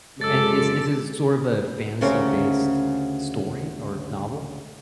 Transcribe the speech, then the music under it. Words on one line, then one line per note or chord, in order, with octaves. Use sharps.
And is is this sort of a fantasy-based story or novel?
F#2 C#3 G#3 A4 D6 E6 A6
D2 C#3 C4 C#4 G4 A#4